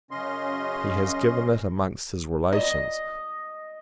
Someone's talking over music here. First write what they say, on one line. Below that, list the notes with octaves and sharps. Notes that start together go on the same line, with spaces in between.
He has given it amongst his relations.
F#2 C#3 C#4 D#5 C6
D#5